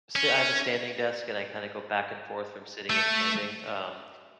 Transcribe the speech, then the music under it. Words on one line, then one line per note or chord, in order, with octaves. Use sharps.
See, I have a standing desk, and I kinda go back and forth from sitting and standing, um
C#4
A3